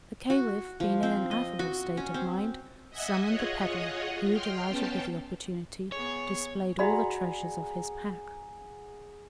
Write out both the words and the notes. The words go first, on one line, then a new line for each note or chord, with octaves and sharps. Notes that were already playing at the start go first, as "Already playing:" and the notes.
The Caliph, being in an affable state of mind, summoned the peddler, who, delighted with the opportunity, displayed all the treasures of his pack.
F#4
F3
C4
D#5
F#4
C#4
C4
D#5 E5 F#5 G#5 D#6
F4 G#4 C#5 D#5 F#5
G5 C6 F6
B3 C#4 G5 A5
B3 G#4 C#5
F#4 G#4 D5 F#5 A#5 B5